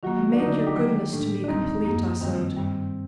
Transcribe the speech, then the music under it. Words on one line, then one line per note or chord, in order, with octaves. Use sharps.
"Make your goodness to me complete," I said.
D#3 F#3 A#3 F#4
D4
D3 F#3 A3 D#4
D4
D#4
G4
D#3 F#3 A#3
A2 A3 D4 A4
D4
D#2 D#3 G3 C4 D#4
F#2 F#3 A#3 D#4 G4
G2 D#3 G3 C4
G2 D#3 G3